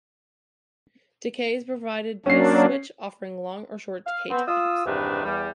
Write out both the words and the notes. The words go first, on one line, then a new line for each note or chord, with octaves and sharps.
Decay is provided by a switch, offering long or short decay times.
F#3 A#3 C#4 D4 C7
F5
B3 C4
F4 D#6 E6
E2 G2 C3 D#3 D4 B4
E2 G3